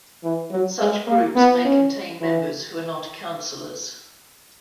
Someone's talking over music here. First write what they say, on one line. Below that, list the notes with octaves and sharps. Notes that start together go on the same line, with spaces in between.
Such groups may contain members who are not councillors.
E3
F#3
G#3
A#3
B3
C#4
E3